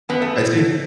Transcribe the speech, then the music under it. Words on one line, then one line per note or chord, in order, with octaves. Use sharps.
I'd say
F#2 B3
A3